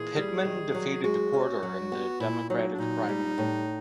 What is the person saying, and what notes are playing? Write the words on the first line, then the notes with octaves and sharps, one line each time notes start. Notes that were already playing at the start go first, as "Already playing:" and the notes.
Pittman defeated Porter in the Democratic primary.
Already playing: A#2 E3 G#4
G3
D#3
F#3
G#3 F#4
C#4
F#3
B3
A#2 E4
F#3 D#4
D4
A#2 D#4
G3
A2